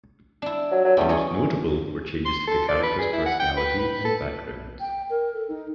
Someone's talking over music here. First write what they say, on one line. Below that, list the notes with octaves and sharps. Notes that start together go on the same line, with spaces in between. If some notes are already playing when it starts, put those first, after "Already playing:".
Most notable were changes to the characters' personality and backgrounds.
D4 E4
F#3
F#3
E2 G3 A3 C#4
G#4 C#5 D#5
C6
A4
D5
B4
G#4
E4
F#5
G5
B4
B4
A4
G5
A#4
A4
D#4